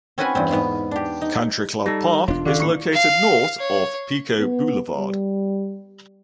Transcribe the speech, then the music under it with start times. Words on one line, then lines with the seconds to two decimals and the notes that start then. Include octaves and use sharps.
Country Club Park is located north of Pico Boulevard.
0.18 C4 C#4 F#4 B4 F#5 G#5
0.35 E2 G2 C4
0.51 G#2 B3
0.91 D4 G4
1.21 D#4
1.86 G3 D#4 A4 A#6
2.28 E1 D4 F4
2.45 D3 D#3 C#4 F5
2.60 A2 A#3
2.93 F5
3.59 C#5
4.39 B3
4.97 G3